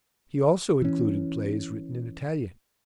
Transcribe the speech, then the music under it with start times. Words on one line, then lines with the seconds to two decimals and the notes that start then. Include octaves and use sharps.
He also included plays written in Italian.
0.82 E3 C#4